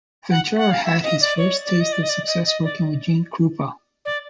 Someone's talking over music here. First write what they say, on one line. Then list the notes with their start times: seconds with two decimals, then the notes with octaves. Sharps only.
Ventura had his first taste of success working with Gene Krupa.
0.31 F#5
0.58 F#5
0.71 F5
0.85 E5
1.03 D#5
1.21 D5
1.38 C#5
1.65 D5
1.80 D#5
1.92 D5
2.03 D#5
2.09 D5
2.27 D#5
2.45 D#5
2.64 D5
4.05 D5